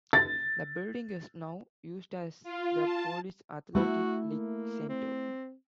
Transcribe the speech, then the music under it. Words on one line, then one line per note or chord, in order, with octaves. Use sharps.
The building is now used as the Police Athletic League Center.
A6
F4
A5
A3 E4 F#4
A#3
C4